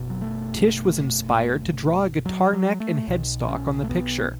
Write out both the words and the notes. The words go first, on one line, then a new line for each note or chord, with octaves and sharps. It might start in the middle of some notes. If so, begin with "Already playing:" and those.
Tish was inspired to draw a guitar neck and headstock on the picture.
Already playing: F#1 B2
F#3
A3
F#3
F#3
A3
B1 B2
C#4
A3
B3